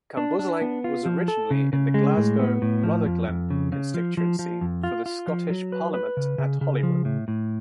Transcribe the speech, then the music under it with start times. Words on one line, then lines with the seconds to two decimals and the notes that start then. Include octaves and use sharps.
Cambuslang was originally in the Glasgow Rutherglen Constituency for the Scottish Parliament at Holyrood.
0.17 D4
0.39 D4
0.62 B3
0.84 F4
1.06 F3
1.28 A4
1.51 C#3
1.73 C#3
1.94 G#3
2.17 A2
2.39 B3
2.62 A2
2.83 F3
3.06 F2
3.28 F2
3.50 C#3
3.72 C#3
3.94 F3
4.17 F3
4.39 F3
4.61 F2
4.84 F4
5.06 F4
5.27 F3
5.50 F#3
5.72 B4
5.94 B4
6.17 C#3
6.38 C#3
6.61 C#3
6.83 F3
7.05 A2
7.28 A2